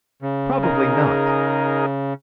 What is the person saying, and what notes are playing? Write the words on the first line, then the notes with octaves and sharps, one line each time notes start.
Probably not.
C#3
D#4 G#4 A#4